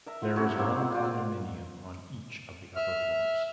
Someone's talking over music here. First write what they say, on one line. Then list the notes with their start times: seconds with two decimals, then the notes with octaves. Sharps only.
There is one condominium on each of the upper floors.
0.06 A#4 E5 A#5
0.22 E4 F4 F#5
0.36 C3 C#4 E4 F#4
0.55 A#3 C4 F5 F#5
0.78 G#3 F4 F#4 F#5
0.94 F4 D5
2.76 E5 F6